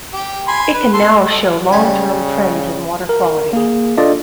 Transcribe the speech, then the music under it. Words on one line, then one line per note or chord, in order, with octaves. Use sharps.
It can now show long-term trends in water quality.
G4
G#5 B5 C6
B4
A4 C6
A4 D#5
C#3 G3 G#5
A#4
A#3 G#4
D4 F4 A4 D5 D#5